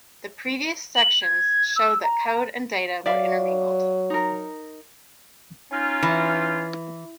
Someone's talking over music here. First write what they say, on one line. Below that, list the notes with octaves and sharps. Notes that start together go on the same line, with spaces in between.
The previous sections show that code and data were intermingled.
F#7
G#6
E6
A#5
F#3 D5 E5 F5
D#4 A#4
C#4 D#4 F4
E3